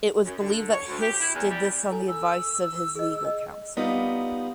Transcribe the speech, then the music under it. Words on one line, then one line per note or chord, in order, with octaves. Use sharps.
It was believed that Hiss did this on the advice of his legal counsel.
F#2
D3
C#5
D2
G4
E4
E2
G3
E4 A4 G#5
E6
G#4 D#5
D#5
G3 B3 D#4 F4